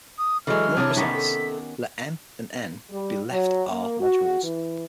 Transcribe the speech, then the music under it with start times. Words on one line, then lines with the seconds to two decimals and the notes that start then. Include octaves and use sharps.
More precise, let "M" and "N" be left "R"-modules.
0.18 D#6
0.47 E3 F#3 G#3 A4 F6
0.77 C3 E3 D4 G#4 C#5
0.97 D#3 B3 C#4 B6
1.14 A4
2.90 G3
3.31 F#3
3.69 A#3
4.00 F#4
4.42 E3